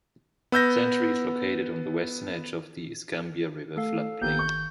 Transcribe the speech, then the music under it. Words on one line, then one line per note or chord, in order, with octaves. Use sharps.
Century is located on the western edge of the Escambia River floodplain.
B3 E6 G6 A#6
A3 A4 F5
G1 D#3 A#3 B3 G4 G6
C#6